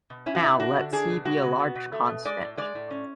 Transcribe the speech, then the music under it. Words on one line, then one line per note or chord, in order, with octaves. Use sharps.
Now, let "C" be a large constant.
B2
C#4 E4
F#4
B2 E4
D4 F#4
D3
D4 G#4
B2
G#3 F#4
C#3
B3
B2
A3
B2
G#3 D5
A2
G#3 D5
A2
C#4